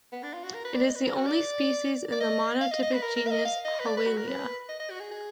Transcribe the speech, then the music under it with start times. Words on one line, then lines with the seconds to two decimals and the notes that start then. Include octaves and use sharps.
It is the only species in the monotypic genus Howellia.
0.12 B3
0.23 D4
0.34 F4
0.44 F#4
0.54 A#4
0.65 B4
0.75 D5
0.85 D#5
0.95 B4
1.06 A#4
1.16 F#4
1.26 D5
2.12 D5
2.20 D#5
2.61 F5
2.71 D#5
2.83 D#5
2.93 B4
3.03 A#4
3.16 A#4
3.27 F5
3.31 D#5
3.45 F5
3.65 D#5
3.80 B4
3.86 D5
3.97 B4
4.07 F#4
4.17 A#4
4.28 B4
4.69 D#5
4.80 D#5
4.90 F#4
5.00 G#4
5.11 G#4